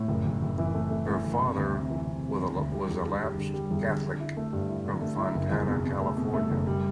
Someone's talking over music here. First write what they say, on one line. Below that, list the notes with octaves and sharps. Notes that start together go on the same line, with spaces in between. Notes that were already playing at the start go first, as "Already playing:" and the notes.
Her father was a lapsed Catholic from Fontana, California.
Already playing: A2
F#1
F#1
F#1
E3
A3
A3
E3
F#1
C3
D2
C3
E3
C3
C3
E1
D2
G3
E2
D3
G3
D3
G3
E2
D3
D3
E4
A3
G2
E4
D3
A3
E4
F#1
E2
B2
B2
A3
B2
A3
F#1
G3